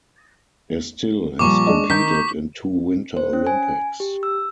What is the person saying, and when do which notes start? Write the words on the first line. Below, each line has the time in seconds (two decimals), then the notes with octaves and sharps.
Estil has competed in two Winter Olympics.
1.39 A#2 F3 G3 C#6 D6
1.67 G#3 D4 D#5
1.90 D#3 A#5 G6 B6
3.17 C5
3.33 C#4
3.47 G#5
4.00 G4
4.23 E6